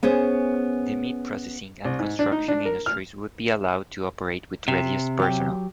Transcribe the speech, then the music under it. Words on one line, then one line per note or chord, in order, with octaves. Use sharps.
The meat processing and construction industries would be allowed to operate with reduced personnel.
B3 C#4 G#4 C5
C2
G#2
D4
D#4
D4
A#4
F6
C3
F#3 G4